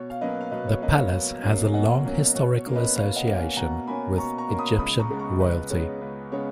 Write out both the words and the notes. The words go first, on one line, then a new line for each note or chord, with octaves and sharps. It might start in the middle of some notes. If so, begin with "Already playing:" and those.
The palace has a long historical association with Egyptian royalty.
Already playing: B2 C#5
F5
F#3 A#3 C#4 B4 D#5
F5
B2 B4 D#5
C#5
F#3 A#3 C#4 B4 D#5
C#5 F5
B2
F#3 A#3 C#4
G#5
B2 D#5 F#5
F#3 A#3 C#4
B2 C#5
C#5
A#3 C#4
B4 D#5
B2 C#5 F5
D#5 F#5
A#3 C#4
F5 G#5
B2 F#5 A#5
A#3 C#4 G#5 B5
B2 A#5 C#6
A#5 C#6
A#3 C#4
B5 D#6
C#2 B5 D#6
A#5 C#6
C#3 G#3 B3
A#5 C#6
C#2 B4 D#5
C#3 G#3 B3 C#5
C#2 B4
C#3 G#3 B3 C#5